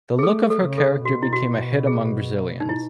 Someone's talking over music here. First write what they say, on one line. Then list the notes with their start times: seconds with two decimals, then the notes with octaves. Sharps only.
The look of her character became a hit among Brazilians.
0.19 G#4
0.23 A3 A4
0.50 A4
0.63 C#3
0.78 A4
1.05 B2 F#4
1.22 E4
1.33 F#4
1.87 G#4
2.60 D#4
2.69 E4